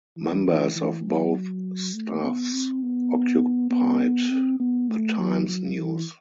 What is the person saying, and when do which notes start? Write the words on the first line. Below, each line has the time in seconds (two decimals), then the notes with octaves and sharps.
Members of both staffs occupied the Times-News.
0.17 E3
0.46 E3
0.75 E3
1.05 F#3
1.94 A3
2.23 B3
2.53 C4
2.82 B3
3.71 B3
4.30 C4
4.60 B3
4.89 A3
5.19 F#3
5.49 F#3
5.78 E3